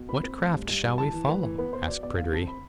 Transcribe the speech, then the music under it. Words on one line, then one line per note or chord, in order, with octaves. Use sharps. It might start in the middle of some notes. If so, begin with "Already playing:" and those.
'What craft shall we follow?' asked Pryderi.
Already playing: B2
C4 B5
C4
A3
G2
G2
G2
E3 A5
E3
A3 B4
E3
B3 B4
B3 C5
B2 D5
B3 D5
D3 F5
C4 A5
B5